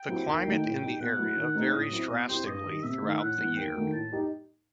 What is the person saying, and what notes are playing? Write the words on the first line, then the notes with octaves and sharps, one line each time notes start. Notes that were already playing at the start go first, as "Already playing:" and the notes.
The climate in the area varies drastically throughout the year.
Already playing: G5
F#3 C4 E4 G4
D#2
D#3 A3 D#4 F#4
A2
G3 D#4 G4
B2 F#5
F#3 A3 E4
D#3
A3 C4 D#4 G4
A2 D#5
F#3 C4 E4
B2 D#5
G3 C4 E4 G4 C5
G2 D#5
D#3 G3
C3 E5
D#3 A3 D#4
A2 F#5
E3 B3
D#2 G5
D#3 A3 D#4 F#4
A2 A5
G3 D#4 G4